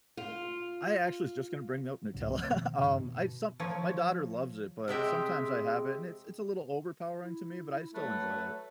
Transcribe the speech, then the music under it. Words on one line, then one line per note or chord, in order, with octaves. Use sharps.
I actually was just gonna bring up Nutella. Um, I some my daughter loves it, but sometimes I have it, and it's it's a little overpowering to me, but I still enjoy it.
F4
C2 G#2 C#3 F#3
F3 A3 A#3 C4
B2 D#3 F3
G2 C3 D#3
B2
F3 C#5
C3 G#3 E5 G5
E4
F#3 A3 B4